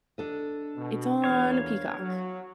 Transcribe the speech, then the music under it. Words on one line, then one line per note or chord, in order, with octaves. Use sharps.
It's on Peacock,
D4 A4 D#5
B2
E2 A#2 B3 C#5 F5
F#3